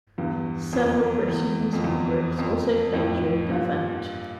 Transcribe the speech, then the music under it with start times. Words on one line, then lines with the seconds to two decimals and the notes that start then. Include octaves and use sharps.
Several Christian musical groups also played during the event.
0.18 E2 G2
0.73 F2
1.28 E2
1.73 F2
1.84 E2
2.39 F2
2.93 F2 A2
3.49 G2 A#2